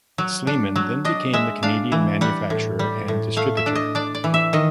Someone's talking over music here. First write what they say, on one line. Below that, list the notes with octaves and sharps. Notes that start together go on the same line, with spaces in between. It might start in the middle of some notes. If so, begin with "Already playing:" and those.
Sleeman then became the Canadian manufacturer and distributor.
F#3
D4
F#3
D4 D#5
G#3 E5
D4 F5
E3
G3 F#5
A2
G3
A2
A3 F5
E5
D4
D#5
D4 D5
D5
E3
E5
D#3 D#5